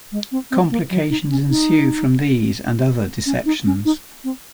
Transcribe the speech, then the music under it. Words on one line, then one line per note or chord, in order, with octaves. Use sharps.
Complications ensue from these and other deceptions.
G#3
C4
C4
A#3
F#3
D#4
C#4
D#4
C#4
D#4
C#4
D#4
C4